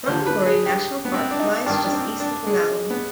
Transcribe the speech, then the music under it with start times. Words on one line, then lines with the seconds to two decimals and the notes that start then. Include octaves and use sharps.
Rohkunborri National Park lies just east of the valley.
0.06 D#2 D3 F3 C5
0.26 B4
0.46 G#4
0.66 G4
1.05 B3
1.14 C4
1.31 D4
1.39 D#4
1.66 G2 D#3 D4
1.84 D4
1.93 C4
2.20 D4
2.46 G#3
2.90 B3